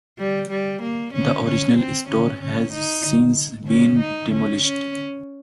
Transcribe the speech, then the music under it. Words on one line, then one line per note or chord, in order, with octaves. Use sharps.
The original store has since been demolished.
G3
G3
A#3
C#4
C#4
C4
C#4
C#4
D#4
C#4
D#4
C#4
C#4